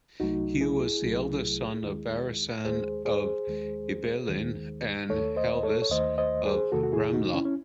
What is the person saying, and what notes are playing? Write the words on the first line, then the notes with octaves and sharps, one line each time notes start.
Hugh was the eldest son of Barisan of Ibelin and Helvis of Ramla.
C2 C3 F#3 A3 D#4 F#4
E4 G#4
C2 C3 F#3 A3
D#2 D#3 G#3
D#2 D#3 G#3 G#4 C5
G#4 C5
D#2 D#3 G#3
D#2 D#3 G#3
D#2 D#3 A3 A4 C#5
C5 D#5
A4 C#5
C#5
D#2 D#3 A3 C5 D#5
C5 D#5
G#4 C5
E2 C3 D#3 A3 F#4 A4
F#4
E4 G#4
D#4 F#4
C#4 E4
C#4